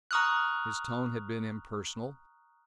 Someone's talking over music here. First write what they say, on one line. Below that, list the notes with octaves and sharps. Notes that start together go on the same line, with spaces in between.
His tone had been impersonal.
A#5 C#6 D#6 F6 F#6